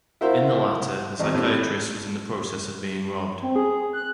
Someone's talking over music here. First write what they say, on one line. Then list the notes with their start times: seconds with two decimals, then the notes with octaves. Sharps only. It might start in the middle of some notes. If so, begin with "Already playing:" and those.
In the latter, the psychiatrist was in the process of being robbed.
0.21 E4 F#4 A#4 C5 E5 F5
1.19 G#1 C4
1.34 A2 C3
3.42 C4
3.56 G#4
3.93 F#6